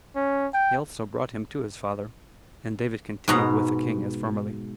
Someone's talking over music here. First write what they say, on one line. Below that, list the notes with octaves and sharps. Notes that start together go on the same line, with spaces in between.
He also brought him to his father; and David continued with the king as formerly.
C#4
G5
G#2 B2 A#5